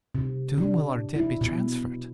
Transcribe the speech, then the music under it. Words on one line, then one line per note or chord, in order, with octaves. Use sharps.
"To whom will our debt be transferred?"
C3
D4
E4
B2